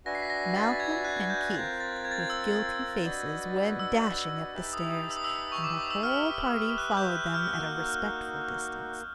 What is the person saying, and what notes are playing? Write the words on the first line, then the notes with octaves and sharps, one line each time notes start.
Malcolm and Keith, with guilty faces, went dashing up the stairs, and the whole party followed them at a respectful distance.
D4 F#4 B4 E5 G#5 A#6
C7
B6
A#6
A6
A6
G#6
F#6
G6
C4 F4 A#4 G#6
A6
G#6
A6
G#6
E6
D4 F#4 B4 D#5
E6
D#4 G4 B4 E5 A5
D#6
D#6
E6
D#6
E6
C#6
D6
D#6
E6
G4 B4 E5 F6
F#6
G6
F#6
F6
A#3 D#4 F#4 F#6